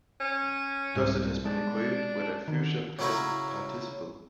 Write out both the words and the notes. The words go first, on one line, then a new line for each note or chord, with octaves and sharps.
Thus it has been equated with a future passive participle.
C#4
C2 G#2
B2 G#3 D4
D3 D#3
C#3 F#3 C#4 E4 C#5 A#5